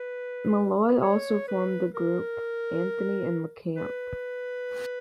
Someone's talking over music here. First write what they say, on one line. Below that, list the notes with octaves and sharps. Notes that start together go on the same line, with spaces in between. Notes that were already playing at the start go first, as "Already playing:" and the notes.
Malloy also formed the group Anthony and the Camp.
Already playing: B4
C#5
B4
A#4
B4